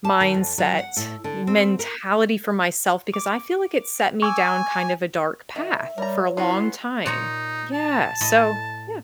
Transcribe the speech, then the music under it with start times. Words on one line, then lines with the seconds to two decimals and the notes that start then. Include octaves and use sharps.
mindset, y mentality for myself, because I feel like it set me down kind of a dark path for a long time. Yeah, so Yeah.
0.04 A5
0.21 D#3
0.34 F2
0.58 F#3
0.79 F#5
0.97 A2
1.24 D3
1.47 C4
1.79 A#4
3.14 D6
4.22 G#5 C#6 D6 E6
5.56 D#3 E5
5.98 G3 A#4 C#5 A#5
6.37 B3 C#4 E4 F#4 C6
7.06 A#2 D#4 C#5 A#5
7.73 A5
8.21 A2 D#5 B5